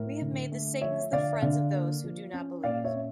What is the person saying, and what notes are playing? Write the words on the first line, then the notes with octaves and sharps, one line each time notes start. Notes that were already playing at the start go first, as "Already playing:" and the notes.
We have made the Satans the friends of those who do not believe.
Already playing: A2 A#4
D3
A3
F3 C#5 E5
D3 D5 F5
E5
D3 D5 F5
A#3
F3
C#4
A#2 D5 F5
C#5 E5
C#4